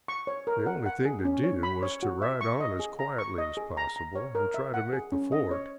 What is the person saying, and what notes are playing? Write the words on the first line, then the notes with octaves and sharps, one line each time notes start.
The only thing to do was to ride on as quietly as possible and try to make the ford.
C#6
C#5
A#4
F#5
F#5
G#4
C#4
C#5
B5
C#5
F#4
E5
C#6
D#5
G#4
A#5
C#6
D#5
G#4
A#5
A#5
C#5
A#4
E5
F#5
G#4
C#4
D#5
C#5